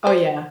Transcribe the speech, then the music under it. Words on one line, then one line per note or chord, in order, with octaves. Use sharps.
Oh, yeah.
C5